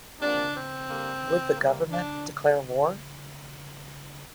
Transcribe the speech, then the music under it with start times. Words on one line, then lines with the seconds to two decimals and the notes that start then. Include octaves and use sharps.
Would the government declare war?
0.21 C3 F3 A#3 D4
0.56 C4
0.89 D3 G3 A#3
1.56 C3 G3 A#3
1.91 D4